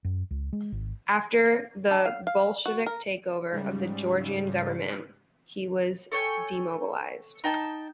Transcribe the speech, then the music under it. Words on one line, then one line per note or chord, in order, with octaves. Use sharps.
After the Bolshevik takeover of the Georgian government, he was demobilized.
F#2
C#2
G#3
G#1
D4
F5
F5
F#4
A#4
G#2 C#3 G3
A4 C#5 G5 G#5
D#4 G5 A5